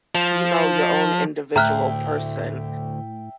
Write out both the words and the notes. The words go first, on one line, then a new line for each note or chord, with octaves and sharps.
you know, your own individual person
F3
D2 A2 E5 G5 A#5 F6 F#6